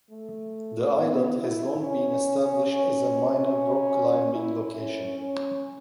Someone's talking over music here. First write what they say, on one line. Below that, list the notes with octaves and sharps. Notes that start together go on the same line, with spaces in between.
The island has long been established as a minor rock-climbing location.
A3
B3
E4
C#4
C#4
E4
C#4
C#4